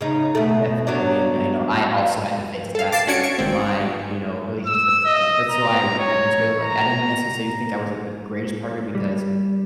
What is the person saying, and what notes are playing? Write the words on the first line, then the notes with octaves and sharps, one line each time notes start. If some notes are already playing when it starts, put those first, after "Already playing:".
definitely, and, you know, I also had to face that in my, you know, relationship, uh, that's why I re reference her. Like, I didn't necessarily think I was, like, the greatest partner because,
C#3 D#4
B2 A3
F#3 B3 D4
A4 F5
D6 A6 C7 E7
C#4 D4 F#4 G#6 C#7 D7
C#6 D7
G#1 C4
E6
D#5
A#5
C#5
A#5
G3